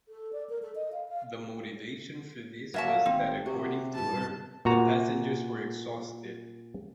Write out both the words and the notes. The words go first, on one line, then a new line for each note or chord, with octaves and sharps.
The motivation for this was that according to her the passengers were exhausted.
A4
D5
A#4
A4
D#5
F5
F5
F#3 A#3 C#4 E5 A5
G#1 C4
C3 F#4
E2 G2 A5
A#2 F#4 A#5